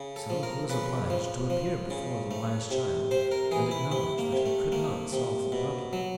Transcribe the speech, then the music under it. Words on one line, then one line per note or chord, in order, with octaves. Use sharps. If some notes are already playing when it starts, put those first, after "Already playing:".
So he was obliged to appear before the wise child and acknowledge that he could not solve the problem.
Already playing: C#3
A4
F3
A#4
C#3 B4
F3
F3
C#3
A3
C3
C3 C5
A#4
E3 G#4
E4
C3 E4
A#3
C3
A3
A3 A#3
C3
B2
F#3